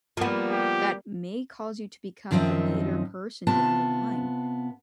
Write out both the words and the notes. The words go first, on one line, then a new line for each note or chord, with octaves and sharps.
that may cause you to become a bitter person down the line.
F3 G3 A#3 B3
G4
F#2 D#3 F3 C4 D#4 E5
C3 B3 F4 A5